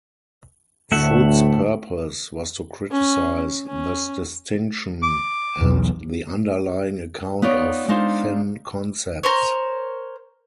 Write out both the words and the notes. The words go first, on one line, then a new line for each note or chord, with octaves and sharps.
Foot's purpose was to criticize this distinction and the underlying account of thin concepts.
D2 A2 A3 E5 F#5
C#4
C#4
D6
B1 E2
B3 D#4 F4 C#5 D5
G#3 D4 D#4 F4 C5
A#4 C5 C#5